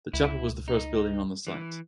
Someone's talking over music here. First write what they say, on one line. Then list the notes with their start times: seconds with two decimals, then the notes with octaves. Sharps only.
The chapel was the first building on the site.
0.13 C#2 E4
0.68 D#4
1.47 E3